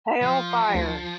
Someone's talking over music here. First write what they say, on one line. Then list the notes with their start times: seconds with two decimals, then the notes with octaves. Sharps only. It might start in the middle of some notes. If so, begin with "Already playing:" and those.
Hail fire!
0.22 F3
0.74 D2